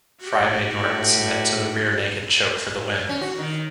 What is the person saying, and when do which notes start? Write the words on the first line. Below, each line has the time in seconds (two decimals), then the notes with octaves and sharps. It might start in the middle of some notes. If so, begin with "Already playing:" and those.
Frye made Norton submit to the rear naked choke for the win.
0.20 F#4 G4
0.80 A2
3.09 C#4
3.21 F#4
3.39 D#3